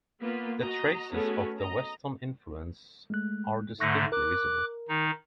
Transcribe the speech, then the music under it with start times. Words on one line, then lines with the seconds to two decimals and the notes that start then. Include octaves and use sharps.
The traces of the Western influence are distinctly visible.
0.22 A#3 B3 F4 B4
0.59 F#4 D#5 A#5
1.13 A3 B3 C#4 F#4 G#4
1.60 D#5 A#5
3.10 G#3 A3 F#6
3.80 G#2 D3 A3 C#6 F#6 A#6
4.12 A#4 D6 F#6
4.88 D#3 D#4